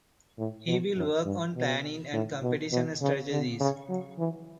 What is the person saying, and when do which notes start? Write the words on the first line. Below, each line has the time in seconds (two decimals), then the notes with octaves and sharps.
He will work on planning and competition strategies.
0.38 A2
0.68 B2
0.97 F#2
1.25 G2
1.56 B2
2.13 A2
2.43 B2
2.72 B2
3.02 C#3
3.31 D3
3.60 C#3
3.89 F#3
4.18 E3